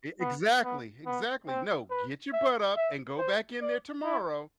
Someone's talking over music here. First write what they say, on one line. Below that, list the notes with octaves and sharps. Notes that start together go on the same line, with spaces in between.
E exactly. Exactly, "No, get your butt up and go back in there tomorrow,
B3
B3
B3
C4
B4
E5
E5
C5
D5
E4